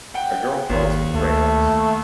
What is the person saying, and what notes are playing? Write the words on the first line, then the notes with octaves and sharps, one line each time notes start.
A girl draws with crayons.
F#5 G5
G#1 D#2
D2 A3